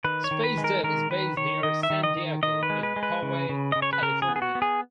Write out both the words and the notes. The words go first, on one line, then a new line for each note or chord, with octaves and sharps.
SpaceDev is based near San Diego in Poway, California.
D#3 B4
C#5
D#3
B4
G#3
A#4
D#3 A#4
D#3 B4
D#3 C#5
D#3 D#5
E5
D#3
D#5
D#3
D#3 D#5
B4
G#3
B4
G#3
B4
C#3
C#3
C#3 D#5
C#5
B4
C#3 A#4
G#4
B3
G#4
F#4
B3
G#4